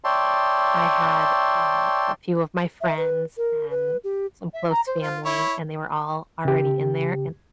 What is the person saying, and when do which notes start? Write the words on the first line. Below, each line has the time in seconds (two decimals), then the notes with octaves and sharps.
I had, um, a few of my friends and some close family, and they were all already in there, and
0.04 C#5 D5 E5 G5 A5 C6
2.81 E5
2.97 B4
3.37 A#4
3.70 B4
4.04 G4
4.53 E5
4.69 A#5
4.86 C5
5.03 F4
5.25 E4 C#5 E5
6.45 C#3 G4